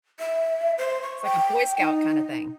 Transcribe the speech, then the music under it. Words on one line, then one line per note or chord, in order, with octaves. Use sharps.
It's like a Boy Scout kinda thing.
E5
C5
C#6
G5
D#4